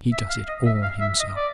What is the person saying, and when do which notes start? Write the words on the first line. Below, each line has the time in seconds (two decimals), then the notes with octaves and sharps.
He does it all himself.
0.12 E5
0.29 F5
0.48 D#5
0.66 E5
0.83 F5
1.01 E5
1.20 D#5
1.36 D5